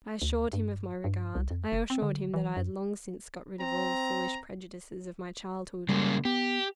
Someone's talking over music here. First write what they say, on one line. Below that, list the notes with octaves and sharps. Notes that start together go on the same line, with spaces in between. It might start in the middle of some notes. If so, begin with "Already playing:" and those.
I assured him of my regard: I assured him that I had long since got rid of all the foolish prejudices of my childhood.
D2
G2
G2
C2
F2
F#1
C4
D3
E3
F#2
C4 A#5
C#3 G3 G#3 A#3
B3 G4